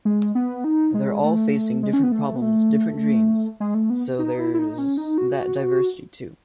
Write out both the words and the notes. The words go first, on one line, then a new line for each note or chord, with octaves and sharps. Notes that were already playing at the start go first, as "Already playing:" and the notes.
They're all facing different problems different dreams, so there's that diversity too.
G#3
B3
D#4
G#3
A3
G#3
C#4
B3
A3
B3
A3
G#3
A3
B3
D#4
E4
E4
D#4
C#4
D#4
F#4